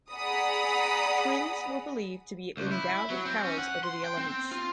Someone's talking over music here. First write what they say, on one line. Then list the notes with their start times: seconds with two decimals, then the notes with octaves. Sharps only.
Twins were believed to be endowed with powers over the elements.
0.11 G#4 D5 F#5 A#5 B5 D#6
2.57 C#2
2.71 E4
3.10 F#3
3.25 C4
3.44 C#4
3.58 F#5
3.84 C6
4.04 G5
4.17 C4
4.52 F4